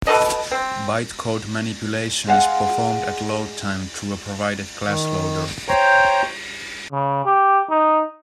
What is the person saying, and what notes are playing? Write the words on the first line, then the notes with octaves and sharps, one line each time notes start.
Bytecode manipulation is performed at load-time through a provided class loader.
B2 C#4 A4 D#5
C4
G#3 F5 F#5
D#3
C5 C#5 G5 A#5
C#3
G4
D#4